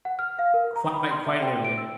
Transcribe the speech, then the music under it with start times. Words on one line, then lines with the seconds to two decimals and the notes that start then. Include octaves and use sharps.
Quite quite literally.
0.05 F#5
0.19 F6
0.39 F5
0.54 A#4
0.76 A#5
0.93 B5
1.11 C6
1.26 E5
1.42 G5
1.65 D7
1.78 E6